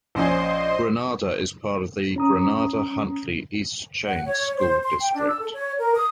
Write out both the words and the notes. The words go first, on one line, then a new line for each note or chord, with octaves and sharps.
Granada is part of the Granada-Huntley-East Chain School District.
A#1 C#4 C5 D#5 G#5 C6
C#4 A#5 D#6
F#5
C#5
C5
C6
G5
D4
E6
A4
C#5
A#4
D#6